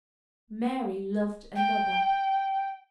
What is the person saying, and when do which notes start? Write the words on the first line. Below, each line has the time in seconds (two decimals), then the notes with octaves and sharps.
Mary loved another!
1.55 G5